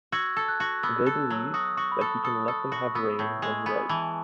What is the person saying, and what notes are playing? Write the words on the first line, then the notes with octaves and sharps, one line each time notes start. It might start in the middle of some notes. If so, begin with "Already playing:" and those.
They believe that he can let them have rain when he likes.
F#4 E6 G#6
A4
F#6
F#4
B3 E6
A4
F#3
F#4 D#6
F#4 C#6
B5
A4 C#6
A4 D#6
A4
D#6
F#4
B3 E6
A2 C#6
G#3
B3 G#5
G#5
E3 A5